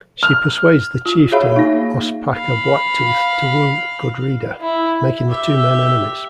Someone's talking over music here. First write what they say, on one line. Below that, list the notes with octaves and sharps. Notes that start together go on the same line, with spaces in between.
She persuades the chieftain Ospakar Blacktooth to woo Gudrida, making the two men enemies.
F6
F4
F#4 G#4 C#5 E5 F5 B5
A#3 D#4
F5 B5
E4
G4 E5